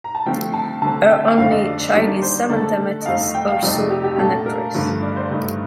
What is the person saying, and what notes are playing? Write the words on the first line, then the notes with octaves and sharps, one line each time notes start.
Her only child is Samantha Mathis, also an actress.
A#5
A5
D3 F3 A3 C4 G5
A5
D3 A3 C4 A5
G5
F2 D3 A3 D4 F5
D#5
D5
D#3 G3 A#3 D4
C5
D3 A3 D4 A4
A4
D#5
F2 D#3 A3 D#4 F5
G5
F5
F2 C3 F3 A3 D#4 D5
G4
G4
A#2 A3 D4 A4
A#4
G2 D3 F3 A3
D5
C5
G2 D3 A3 D#4